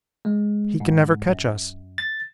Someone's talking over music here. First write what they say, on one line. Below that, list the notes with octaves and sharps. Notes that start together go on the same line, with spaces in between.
He can never catch us.
G#3
G#2
F#2
A6